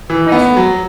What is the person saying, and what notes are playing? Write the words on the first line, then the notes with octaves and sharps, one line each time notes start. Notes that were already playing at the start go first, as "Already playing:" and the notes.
Pray for me!
E3
B3
F#3